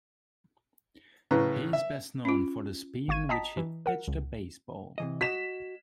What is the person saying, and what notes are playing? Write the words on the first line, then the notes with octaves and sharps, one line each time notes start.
He is best known for the speed in which he pitched a baseball.
A2 C#3 B4 A#5 C#6
E5
C#4 F4
G#1 F5 C#6 G#6 D#7
D#5 G5 A5 A#5 D#6 B6
E3
A#4 F#5
C#2
C3 E3 D#5
F#4 D#5 B6 E7